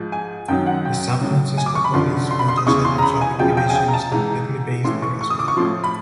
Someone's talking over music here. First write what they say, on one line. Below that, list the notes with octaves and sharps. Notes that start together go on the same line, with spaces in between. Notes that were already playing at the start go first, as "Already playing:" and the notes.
The San Francisco Police motorcycle traffic division is completely based there as well.
Already playing: G#2 F3
G#5
F#2 D#3 F#3 G5
F#5
G5
A2 F#3
G#5
D6
C#6
B5
F#2 D3 F3 C6
C6
B5
C6
D#6
E2 C#3 E3 C#6
C6
A#5
B5
G#5
E2 C#3 F3 G5
G5
G#5
G5
A#5
A5
G#2 E3 A#5
A2 E3 C6
C#6
C#6
D#6
D6
C#6
A2 F3 C6
B5